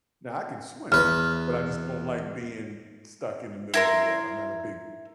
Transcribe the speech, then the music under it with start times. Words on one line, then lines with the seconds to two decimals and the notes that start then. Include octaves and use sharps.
Now, I can swim, but I just don't like being stuck in the middle of water. I'm not a big
0.92 E2 B4 F6
3.74 E4 A#4 C6